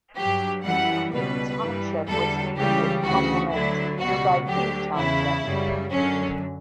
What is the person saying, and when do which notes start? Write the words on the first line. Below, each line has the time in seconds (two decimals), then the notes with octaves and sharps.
Queen Township was named in complement to nearby King Township.
0.16 G2 F#3 G4
0.64 F#2 E3 G3 F#5
1.12 C#2 B2 G3 B4
1.59 G2 E3 G3
2.07 E2 D3 G3 A4
2.55 C#2 C#3 E3 G3 G4
3.03 D2 C#3 E3 F#4
3.51 D2 D3 F#3 E4
3.99 C#2 B2 G3 F#4
4.47 D2 D3 F#3 G4
4.95 E2 C#3 E3 E4
5.43 F#2 C#3 G3
5.91 F#2 D3 F#3 C#4